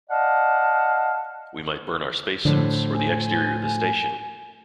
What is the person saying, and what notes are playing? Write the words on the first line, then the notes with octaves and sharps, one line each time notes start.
We might burn our spacesuits or the exterior of the station.
D5 D#5 F5 F#5 A5
A2 D3 F3
G#5